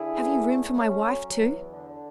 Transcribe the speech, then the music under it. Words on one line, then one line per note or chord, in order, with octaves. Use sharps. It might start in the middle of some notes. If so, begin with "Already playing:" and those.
Have you room for my wife, too?'
Already playing: D3 E4 G#4
E2
A3
C#4
F#3
E2
D3